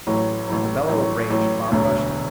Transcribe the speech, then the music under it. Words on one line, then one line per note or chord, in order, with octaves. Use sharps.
With a bellow of rage, Bob rushed him.
A1 A2 F#3
A1 A2 F#3
A1 A2 F#3
A1 A2 F#3
E1 D2 D3 F#3